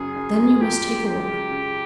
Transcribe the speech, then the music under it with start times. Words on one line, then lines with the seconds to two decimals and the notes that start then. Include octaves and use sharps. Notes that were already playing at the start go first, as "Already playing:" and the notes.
Then you must take a walk.
Already playing: F#2 C#3 G#4
0.16 F#2
0.39 F#2
0.61 F3 G4
0.84 G#3
1.06 G#3 G4
1.28 C#3
1.51 C#3